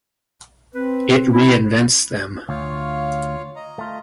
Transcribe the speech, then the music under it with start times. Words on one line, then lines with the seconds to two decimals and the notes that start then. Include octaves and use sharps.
It reinvents them.
0.75 C4 B4
1.33 E4
2.49 D2 F4 C#5 F5
3.56 D#5 A#5
3.78 A3 F4